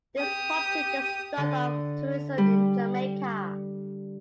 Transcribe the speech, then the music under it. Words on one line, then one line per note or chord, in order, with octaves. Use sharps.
This prompted the start of tourism in Jamaica.
G4 D#6
D3
G3